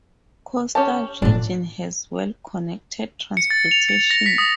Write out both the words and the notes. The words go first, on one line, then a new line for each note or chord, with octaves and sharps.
Coastal region has well-connected transportation.
C#4 G4 A5
A2 F3 D4
C#7
A6
F7
C#7
A#6
B6
D#6